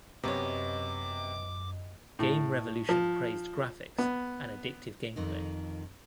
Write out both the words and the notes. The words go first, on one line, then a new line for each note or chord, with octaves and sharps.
Game Revolution praised graphics and addictive gameplay.
F#2 C3 B3 C#5 D#5 D6
A2
F3
B3
F2 D#3 D#4